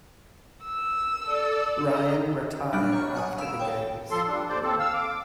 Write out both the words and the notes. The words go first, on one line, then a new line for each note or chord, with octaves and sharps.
Ryan retired after the games.
E6
A4 D5
D#5 A#5
F#3 G3 D4 B5 F6 F#6
C#5 A#5 C#6
F#5 G#5 D#6
F5 B5 E6 D7 E7
A4 C#5 G5
F3 A4 C6
G3 D4
D#2 C5 D5
D#2 C4 A4
F5 E6
D6